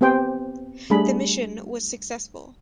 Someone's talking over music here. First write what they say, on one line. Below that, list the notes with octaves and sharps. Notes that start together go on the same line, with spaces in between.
The mission was successful.
B3 C4 G4 C5 G5 G#5
G3 A3 D4 G#4 B5